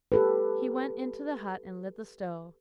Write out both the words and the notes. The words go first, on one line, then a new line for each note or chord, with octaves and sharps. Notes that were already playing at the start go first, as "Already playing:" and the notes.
He went into the hut and lit the stove.
G4 A4 B4